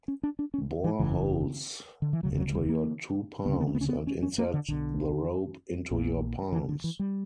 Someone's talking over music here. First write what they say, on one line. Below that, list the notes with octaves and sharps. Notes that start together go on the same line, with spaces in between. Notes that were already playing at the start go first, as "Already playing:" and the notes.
Bore holes into your two palms and insert the rope into your palms.
C#4
D4
D4
C#4
E3
F#1 E2 C#3 E3
D3
E3
E1 D2 C#3 F#3
F#3
G3
A#3
D2 C#3 B3
C#4
B3
C#4
B3
C#4
B3
C#4
C#4
A#3
D3
B1 B2 D3
A#1 A#2
E3
D3
E3
G3